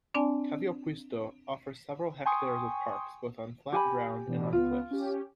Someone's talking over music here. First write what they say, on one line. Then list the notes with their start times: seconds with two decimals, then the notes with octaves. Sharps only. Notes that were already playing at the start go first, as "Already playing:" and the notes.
Kaivopuisto offers several hectares of parks, both on flat ground, and on cliffs.
0.14 C4 D4 D5 G#5 A5
2.25 G5 G#5 C6 C#6 D#6
3.72 G4 G#5 B5
4.27 B2 E3 D4
4.53 C#2 B3 F4
4.91 C#4 G4